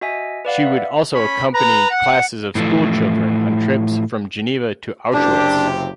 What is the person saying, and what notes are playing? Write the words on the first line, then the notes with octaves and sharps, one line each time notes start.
She would also accompany classes of schoolchildren on trips from Geneva to Auschwitz.
F#4 D#5 E5 G#5 B6
B4 D5 F5 F#5
E5
C#4 B5
B4 A#5
F#5
A2 E3 F3 A3
F#1 C3 D4 G4